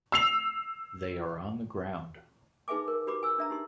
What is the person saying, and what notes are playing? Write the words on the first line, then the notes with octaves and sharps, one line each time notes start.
They are on the ground.
E6 C7 F7
D#4 G#4 B4 E5 G#5 D6
A#4
F#4 G4 B4 B5 D6
G#5 E6
D4 E5 A#5
D#4 G4 C6